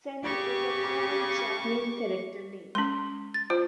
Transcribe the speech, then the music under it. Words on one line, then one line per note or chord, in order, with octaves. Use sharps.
"Sennin" is a common Japanese character name.
C#3 G4 C#6 D6
G#3 C#4 C6
A6
F4 C5